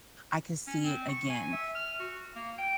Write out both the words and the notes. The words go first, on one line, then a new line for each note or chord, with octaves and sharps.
I could see it again,
C#4
C4
C#6
G#5
E5
F6
F#4
A#3
G5